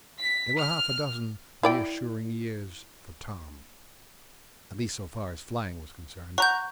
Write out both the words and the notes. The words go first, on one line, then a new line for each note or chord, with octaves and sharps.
There were half a dozen reassuring years for Tom--at least so far as flying was concerned.
B6
F6
E4 D5 G5
F#5 A#5 C#6 G6